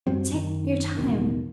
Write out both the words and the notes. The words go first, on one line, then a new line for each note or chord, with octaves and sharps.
Take your time.
F#2 F#3 G3 C4
F#2 D#3
A1 E2 B2 D#3